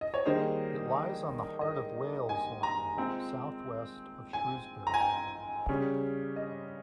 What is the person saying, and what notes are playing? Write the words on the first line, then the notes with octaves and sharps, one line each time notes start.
It lies on the Heart of Wales Line, south west of Shrewsbury.
D#5
C#5
D#3 G3 A#3 D#4 G#4 C5
D#5
G#5
A#5
G#3 C4 F4
G#5
A#5
G#5
G5
C#3 G3 C#4
D#5